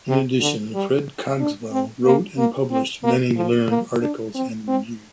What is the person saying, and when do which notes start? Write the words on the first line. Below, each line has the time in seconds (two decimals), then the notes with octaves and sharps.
In addition, Fred Cogswell wrote and published many learned articles and reviews.
0.09 C3
0.41 D3
0.75 G3
1.40 D4
1.72 C4
2.05 A#3
2.38 A#3
2.71 C4
3.04 A#3
3.36 F3
3.70 A#3
4.01 D4
4.35 C4
4.68 C4